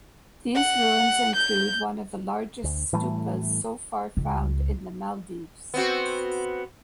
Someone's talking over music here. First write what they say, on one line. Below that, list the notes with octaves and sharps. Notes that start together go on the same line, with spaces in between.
These ruins include one of the largest stupas so far found in the Maldives.
F#5
G6
D2
A2 E3 G3 A3
C#2
B3 C4 F#4